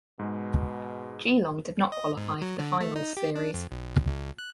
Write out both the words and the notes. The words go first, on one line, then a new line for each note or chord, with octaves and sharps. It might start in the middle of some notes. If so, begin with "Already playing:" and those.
Geelong did not qualify for the finals series.
G#2 B2 G#3
D#5
G#2
F#3
D3
A3
D#4
G4
D4
F2
B1
C#2
F#6